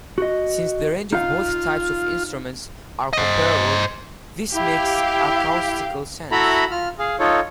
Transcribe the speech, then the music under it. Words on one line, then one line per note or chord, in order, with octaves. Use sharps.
Since the range of both types of instrument are comparable, this makes acoustical sense.
F#4 D#5
D#4 F4 F5
C5 D#5
E4 G4 F5
E4 F#4 A4 E5 A#5 B5
F4 F6
G#4 F5
D#4 F4 A4 C#5